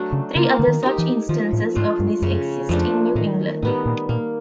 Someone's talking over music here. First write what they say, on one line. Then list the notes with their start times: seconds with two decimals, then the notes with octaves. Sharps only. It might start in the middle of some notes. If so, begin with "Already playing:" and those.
Three other such instances of this exist in New England.
Already playing: F#3 A3 D4
0.12 C#3
0.35 C#3 A#3
0.59 D3
0.68 D#3
0.83 D#4 G4
0.98 E3
1.29 D#3 F3
1.53 A2
1.75 G#2 A3 D4 F4
2.00 G2
2.22 F#2 C#3
2.69 F2 F3 A3 D4
3.15 A2 D#3
3.62 A2 G3 B3 D#4
3.86 A#2
4.09 A#2 A#3